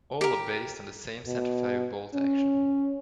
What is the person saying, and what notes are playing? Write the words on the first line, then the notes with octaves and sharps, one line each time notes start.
All are based on the same centerfire bolt action.
G4 A#4
B2
C#4